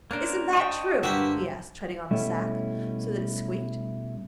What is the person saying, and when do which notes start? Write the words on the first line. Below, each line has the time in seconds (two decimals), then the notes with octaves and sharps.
Isn't that true?' he asked, treading on the sack so that it squeaked.
0.11 A#3 C#4 D4 A#4 C5
0.53 C5 D#5 G5 A5 C#6
1.03 G2 D3 A#3 F#4 G4 C5 E5
2.11 B2 G3 A3 C#4 E4